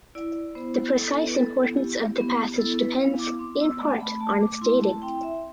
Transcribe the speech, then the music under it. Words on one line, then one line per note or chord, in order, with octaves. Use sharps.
The precise importance of the passage depends in part on its dating.
E4 D5
B3 C5
E4 A4
B4
B3 A4
E4 G4
B3
E4 A4
B4
B3 F5
D6
C4 D6
E6
A3 D6
B5
A3 A5
D6
E4 C6
A5
C4 G5
E5